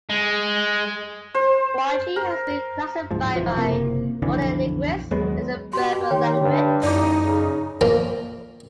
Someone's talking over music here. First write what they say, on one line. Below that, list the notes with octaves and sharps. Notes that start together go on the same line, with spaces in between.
Guanche has been classified by modern linguists as a Berber language.
G#3
C5
A#4
D1 G#2 F3
F1 E3 F3
F#1 C3 A#3
B1 F2 D3 E3
D#2 F#3 G#3 B3
B2 G4 C6
D#2 D#3 C#5 G5 C6
G2 D3
A1 F#2 D#4 D5 D6
C#3
A#2 F3 A#3